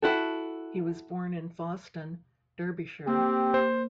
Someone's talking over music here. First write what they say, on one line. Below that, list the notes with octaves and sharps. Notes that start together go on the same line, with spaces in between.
He was born in Foston, Derbyshire.
E4 F#4 A4
A#3 C4 G4
C5